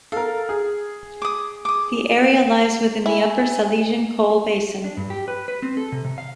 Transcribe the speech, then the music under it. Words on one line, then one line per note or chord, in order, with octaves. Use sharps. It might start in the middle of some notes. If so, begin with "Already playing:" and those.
The area lies within the Upper Silesian Coal Basin.
A4 A#4 F5
G#4
D6 D#6
D6 D#6
E4 G#5
D4
G2
G4
B4
B4
C4
A4
C3
C3
F5